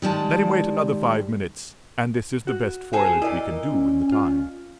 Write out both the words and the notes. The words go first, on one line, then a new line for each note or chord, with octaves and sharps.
"Let him wait another five minutes." And this is the best foliage we can do in the time.
D#3 G3 G#3 A5
F#4
C4 G#4 A4
A#2 E4 A#4 D5 D#5
C#4
F4